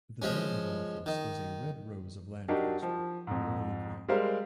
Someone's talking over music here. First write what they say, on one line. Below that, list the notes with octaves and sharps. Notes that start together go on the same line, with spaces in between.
The badge of office is a red rose of Lancaster, royally crowned.
F3 G#3 C#4
D#3
F#3 D4 D#4 G4 A#4
F3
F2 G#2
G3 G#3 A#4 C5 F5